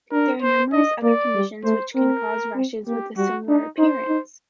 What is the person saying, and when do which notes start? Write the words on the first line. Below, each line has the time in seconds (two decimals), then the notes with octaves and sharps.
There are numerous other conditions which can cause rashes with a similar appearance.
0.11 D4 A#4
0.42 C5
0.73 D4 D#5
1.03 A#3 D5
1.34 G3
1.64 A3 C5
1.94 C4 A#4
2.55 C4
2.86 A#3 G4
3.17 G3 F#4
3.48 D4 D#4
3.78 D#4 C5
4.08 D#4